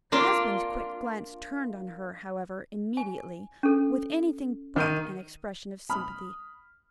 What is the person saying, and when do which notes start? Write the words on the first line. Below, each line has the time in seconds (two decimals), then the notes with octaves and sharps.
Her husband's quick glance turned on her, however, immediately, with anything but an expression of sympathy.
0.12 A#3 D4 F4
2.97 G#5
3.63 C#4 A4
4.76 D#3 G6 D#7
5.90 B5 D#6 F6